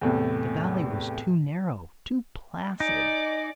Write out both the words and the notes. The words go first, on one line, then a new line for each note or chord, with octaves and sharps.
The valley was too narrow, too placid.
E2 A2 C3
D#4 D5 D#5 G#5 D6